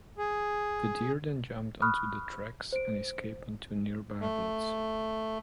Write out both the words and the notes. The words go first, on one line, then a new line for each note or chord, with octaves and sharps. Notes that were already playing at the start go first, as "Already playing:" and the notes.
The deer then jumped onto the tracks and escaped into nearby woods.
G#4
B5 C#6 D#6 F6 F#6
C5 D7
A3